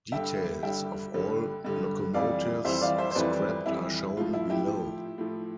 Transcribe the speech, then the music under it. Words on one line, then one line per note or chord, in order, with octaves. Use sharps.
Details of all locomotives scrapped are shown below.
G2 D3 G3 E5 G5
G2 D3 G3 E5 G5
G2 D3 G3
G2 D3 G3
F2 E3 G3 D5 F5
F2 E3 G3 C5 E5
D5 F5
C5 E5
C5
F2 E3 G3 B4 D5
F2 E3 G3 E4
A2 F3 F4
E4
E4 G4
A2 F3
A2 F3